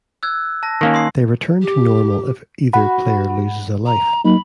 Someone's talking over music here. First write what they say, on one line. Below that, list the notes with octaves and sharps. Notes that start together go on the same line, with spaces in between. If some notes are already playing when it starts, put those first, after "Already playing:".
They return to normal if either player loses a life.
E6 F#6 G#6
A5 A#6
D#3 A#3 C#4
C6 D#6 C7
G4
F#4 F#5 B5
A#5
F#3 A#3 D#4 B5